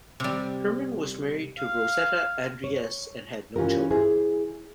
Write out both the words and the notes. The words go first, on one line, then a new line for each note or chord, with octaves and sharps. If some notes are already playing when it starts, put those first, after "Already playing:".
Herman was married to Rosetta Andriesse and had no children.
C3 G3
F5
C#5
E3 C#4 F4 G4 A#4
E4 G#4 C5